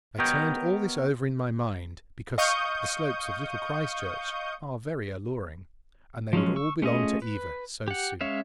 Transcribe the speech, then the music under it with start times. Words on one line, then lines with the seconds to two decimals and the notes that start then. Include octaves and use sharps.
I turned all this over in my mind, because the slopes of Little Christchurch are very alluring, and they would all belong to Eva so soon.
0.19 B3 G4 A#4 C#5 D#5 G5
2.38 D#5 F5 C#6 D#6 G6
6.33 F3 F#3 G#3 C#4
6.56 C#6 E6
6.82 A3 C#4 F4 G#4 D#5
7.22 B4
7.88 G4 F#5
8.21 G#3 C#4 C#5 E5 F5